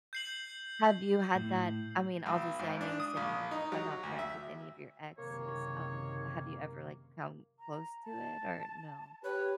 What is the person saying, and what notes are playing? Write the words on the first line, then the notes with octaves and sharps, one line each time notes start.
Have you had that I mean, obviously, I know you said you're how not friends with any of your exes. Um, have you ever, like, come close to it or no?
G6 C7 F#7
A2
B1
G#2
D4
D#6
A#1
D#4
F#3
D2
E5
F#1 C3 D#3 A#3 C#5
A#5
A5
G4 B4 C#5